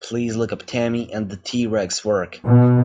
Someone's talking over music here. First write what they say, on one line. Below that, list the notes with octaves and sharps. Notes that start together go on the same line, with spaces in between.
Please look up Tammy and the T-Rex work.
B2